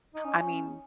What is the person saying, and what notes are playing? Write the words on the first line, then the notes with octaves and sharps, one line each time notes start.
I mean,
D#4
C#4